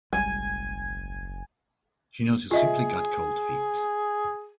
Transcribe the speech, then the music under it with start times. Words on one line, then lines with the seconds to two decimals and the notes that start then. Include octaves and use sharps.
She knows you simply got cold feet.
0.13 F#1 B1 G3 G#3 G#5
2.51 F4 G#4 D#5 E5